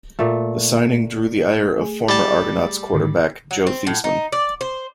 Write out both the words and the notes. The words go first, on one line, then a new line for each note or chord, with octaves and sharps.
The signing drew the ire of former Argonauts quarterback Joe Theismann.
A#2 A3
A3 G#4
G3 A5
G#2 D3 D#3
F#3
C4
A2
D#4
D5
C5